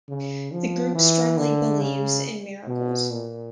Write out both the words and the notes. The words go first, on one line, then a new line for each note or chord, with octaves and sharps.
The group strongly believes in miracles.
C#3
F3
E3
D3
C#3
B2
A#2